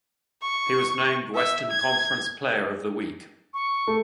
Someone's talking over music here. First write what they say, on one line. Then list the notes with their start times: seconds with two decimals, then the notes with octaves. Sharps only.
He was named Western Conference Player of the Week.
0.43 C#6
1.35 E5
1.71 G#6
3.54 C#6
3.88 A3